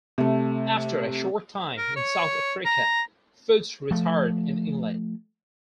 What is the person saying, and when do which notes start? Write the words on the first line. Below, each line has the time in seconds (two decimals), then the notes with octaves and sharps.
After a short time in South Africa, Foot retired in England.
0.18 C3 A3
1.78 A#4
1.96 C#5
2.65 A#5
3.91 F3 A3